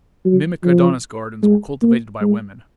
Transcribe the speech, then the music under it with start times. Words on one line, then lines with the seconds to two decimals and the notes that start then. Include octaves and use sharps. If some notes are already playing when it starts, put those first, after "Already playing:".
Mimic Adonis gardens were cultivated by women.
0.25 F#3
0.64 F3
1.43 G#3
1.83 A#3
2.21 G#3